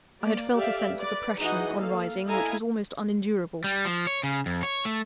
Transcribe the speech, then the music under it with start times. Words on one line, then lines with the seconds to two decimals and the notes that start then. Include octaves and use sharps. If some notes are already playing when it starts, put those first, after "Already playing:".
I had felt a sense of oppression, on rising, which was almost unendurable.
0.23 A#3 D5
0.55 G4 A4 D5 E5 F5
0.98 B4 D5
1.39 E3 D#4 F#4 G#4 D#5 F#5
1.77 A#3 A4 F5
2.27 E4 A4 D#5 F5 G#5 A#5
3.64 G3
3.85 F3
4.07 C#5
4.23 C#3
4.46 F2
4.63 C#5
4.85 A3